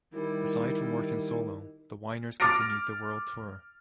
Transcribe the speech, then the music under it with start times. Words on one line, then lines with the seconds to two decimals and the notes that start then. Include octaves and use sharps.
Aside from working solo, the Wynners continued their world tour.
0.13 D#3 G3 E4 A#4
2.40 D6 F6 A6 A#6 D7